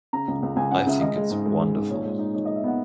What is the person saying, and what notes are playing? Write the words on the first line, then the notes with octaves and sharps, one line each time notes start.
I think it's wonderful.
C#3 A#5
C#2
C#2
C#2 G#5
C#3 F#5
C#3 E5
G#3 D#5
G#3
G#2
G#3
G#3
G#2
A#2 C#5
G#3
D#4
D#4 C#5
G#3 D#5
E5
B3 F#5